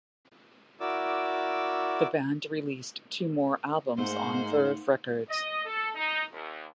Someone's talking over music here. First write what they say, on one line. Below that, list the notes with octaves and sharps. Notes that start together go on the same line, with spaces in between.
The band released two more albums on Verve Records.
E4 F#4 A#4 D5 D6 E6
G#2 A3 A#3 D#4 C5 F#5
D#5
A4
D#4
D#2